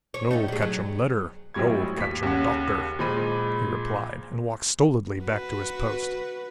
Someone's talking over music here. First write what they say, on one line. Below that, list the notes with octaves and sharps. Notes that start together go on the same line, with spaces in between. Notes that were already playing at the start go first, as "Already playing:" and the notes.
"No ketchum letter, no ketchum Doctor," he replied, and walked stolidly back to his post.
C#5
A2 C#4 D#4
G3 G#4
F#3
G#1 A2 F#3 G3 C#6 G#6
D#2 B6
D#2 C#3 C#4 F#5
A#2 F3 G#3 B5 D#7
F#4 B4